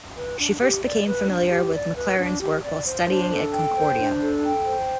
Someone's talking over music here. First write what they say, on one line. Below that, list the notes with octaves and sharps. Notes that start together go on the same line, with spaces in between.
She first became familiar with McLaren's work while studying at Concordia.
B4
D4
G4
D5
B4
D4
G4
D5
B4
D4
G4
D5
C5
D4
A4
G5
C5
D4
A4
G5
C5